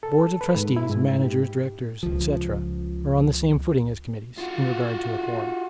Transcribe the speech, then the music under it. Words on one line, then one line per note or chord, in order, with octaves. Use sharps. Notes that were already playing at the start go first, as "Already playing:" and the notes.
Boards of Trustees, Managers, Directors, etc., are on the same footing as committees, in regard to a quorum.
A4
B4
G#2
E4
G#2
G4
C#2 F3
F4 F#4